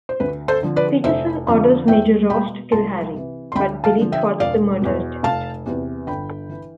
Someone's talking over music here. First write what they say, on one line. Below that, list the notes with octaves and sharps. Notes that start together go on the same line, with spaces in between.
Peterson orders Major Ross to kill Harry, but Billy thwarts the murder attempt.
C5
D2 B4
A4 C5
D3 F3
B4 D5
F1 C5 E5
F2 D3 F3
E2 E5 G5
B2 G5 B5
C2 A5 C6
C3 E3
C6
D2 G5 B5
F5 A5
D3 F3
E5 G5
E1 D5 F5
E2 B2
F1 F5 A5
E2 C3 E3
G1 G5 B5
E3